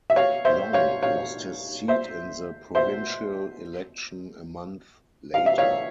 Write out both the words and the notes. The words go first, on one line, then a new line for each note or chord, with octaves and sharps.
Long lost his seat in the provincial election a month later.
E5
C#5 F5
C5 E5
C#5 F5
C#5 F5
C5 E5
C5 E5
F5
E5
C#5 F5